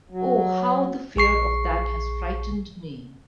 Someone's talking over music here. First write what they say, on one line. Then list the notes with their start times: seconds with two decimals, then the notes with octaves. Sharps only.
Oh, how the fear of that has frightened me!
0.10 F#3
1.16 A#1 G#4 C#6 C7